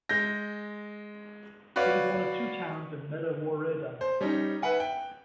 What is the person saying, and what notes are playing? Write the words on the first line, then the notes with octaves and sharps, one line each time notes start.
It is one of two towns in Meta woreda.
G#3 G6 A#6
F#4 B4 C#5 D5 F5
C5
G3 C#4 D#4
B4 E5 F#5 G#5
G5